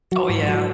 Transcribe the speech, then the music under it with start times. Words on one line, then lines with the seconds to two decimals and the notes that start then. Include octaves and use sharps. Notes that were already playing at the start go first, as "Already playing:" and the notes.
Oh, yeah.
0.12 F#3 F#4
0.30 G#2
0.49 F#3